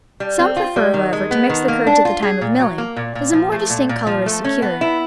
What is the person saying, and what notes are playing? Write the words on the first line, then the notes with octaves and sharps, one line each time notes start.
Some prefer, however, to mix the curds at the time of milling, as a more distinct color is secured.
G3
C4
F4
G3
D#3
G#3
B3
D#3
A#3
D4
F4
G#4
A#2
F#3
A#3
A#2
A#2
F3
A3
A#2
A#2
F3
A3
C#4
B3
E4